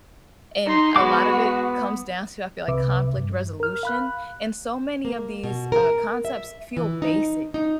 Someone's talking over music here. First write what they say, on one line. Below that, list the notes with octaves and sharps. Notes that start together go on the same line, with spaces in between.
and a lot of it comes down to, I feel like conflict resolution, and so many of these, uh, concepts feel basic
D#4 C6
G#3 B3 F#4 D6
C2 C3 B4 E5 D6
G2
A#4 F6
F5 B5 F#6
A#3
B2
A#4
E5
E3
D#4
D#4